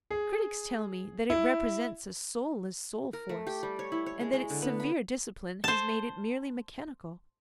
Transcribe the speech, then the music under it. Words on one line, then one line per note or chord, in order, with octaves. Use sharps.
Critics tell me that it represents a soulless soul-force and that its severe discipline has made it merely mechanical.
G#4
E4
A#4
A3
G4
G3
C#5
E4
C#5
G#3
G#3
D3
B3
B5
C5 A5